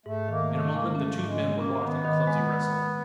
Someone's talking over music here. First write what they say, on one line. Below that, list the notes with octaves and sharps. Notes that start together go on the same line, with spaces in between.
In a moment the two men were locked in a clumsy wrestle.
G#2 A3
D#3 A#3
D#3 A3
G#3 A#3
A3 C#4
G#2
G#3
C#4
A#3
C#4
D#3 B3
D#3
G#3